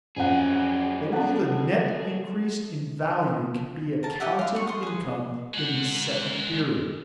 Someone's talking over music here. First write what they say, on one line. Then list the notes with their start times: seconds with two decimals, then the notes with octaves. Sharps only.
Only the net increase in value can be accounted income in the second period.
0.16 F2 F#3 C#4 G#4 F#5
1.12 A4 F#5 A5
4.03 A#4 A5
4.20 G4 D#5 E5 F#5
4.39 F5 C6
4.55 F#5 C#6
4.67 C6 D#6
4.83 G#4 B4
5.54 G#3 F#5